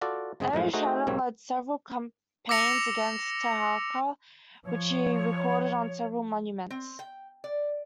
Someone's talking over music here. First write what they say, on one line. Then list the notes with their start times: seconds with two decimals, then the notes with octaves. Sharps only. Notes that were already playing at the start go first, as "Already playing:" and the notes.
Esarhaddon led several campaigns against Taharqa, which he recorded on several monuments.
0.01 F4 F#4 A4 D5
0.40 G1 C#3 G#3 C4 G#4
0.53 F#2 A2 F3 G#3
0.73 A3 D#4 F#4 G#4 C5 D#5
1.07 B1 G#2 G3 A#3 C4 C#5
2.49 D6 E6 A#6 C#7 F7
4.65 F3 C#5
6.71 C4
6.99 G5
7.44 D5